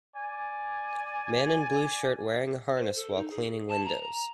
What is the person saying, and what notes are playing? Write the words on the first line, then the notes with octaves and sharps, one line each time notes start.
Man in blue shirt wearing a harness while cleaning windows.
D5 G#5
C5
A4
D#4
G#4
A5
A#5